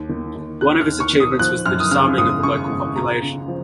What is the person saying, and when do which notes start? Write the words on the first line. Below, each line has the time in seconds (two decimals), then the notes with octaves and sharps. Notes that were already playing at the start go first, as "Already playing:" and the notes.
One of his achievements was the disarming of the local population.
Already playing: D#2
0.09 D#3
0.35 D#2
0.61 D#2 F#6
0.81 F6
0.87 D#2
1.00 C#6
1.13 D#3
1.20 D#6
1.39 F3 F#6
1.66 F#2 F6
1.80 D#6
1.91 C#3 F6
2.18 G#1 D#6
2.43 C#3 C#6
2.70 G#1
2.96 C#2 A#5
3.22 C#3
3.48 F3